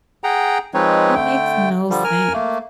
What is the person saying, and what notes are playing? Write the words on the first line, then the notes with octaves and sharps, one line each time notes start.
That makes no sense.
G#4 F#5 G5 A#5
F3 G#3 C4 D#4 B4 C#5
D3 A3 G5
D3 F3 G3
A#4 G#5 F6
A3 A#3